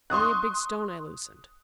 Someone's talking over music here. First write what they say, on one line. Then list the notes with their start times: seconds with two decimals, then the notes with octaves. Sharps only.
Only a big stone I loosened.
0.10 C6 C#6 D#6 F#6